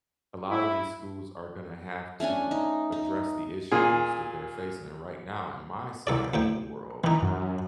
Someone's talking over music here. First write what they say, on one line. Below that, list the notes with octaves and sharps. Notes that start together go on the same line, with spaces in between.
a lot of these schools are gonna have to address the issues that they're facing. And right now, in my side of the world,
E4
A3 C#4 D4 G#5
D#4
D#4
A#2 G#4
C2 A4 D5
D2 A2 G5
D#3 E3 D#4
F#2